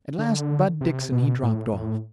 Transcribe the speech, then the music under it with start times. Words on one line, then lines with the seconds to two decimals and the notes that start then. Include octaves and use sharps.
At last Bud Dixon he dropped off.
0.19 D3
0.81 C3
1.12 B2
1.43 A2
1.74 A2